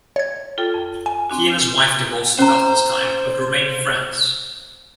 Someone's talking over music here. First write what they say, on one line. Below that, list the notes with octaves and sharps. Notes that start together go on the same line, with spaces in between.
He and his wife divorced at about this time but remained friends.
C#5 G#6
F4 A4 G5
F2
G#5
C4 D4 F#4
C#4 C5 A#5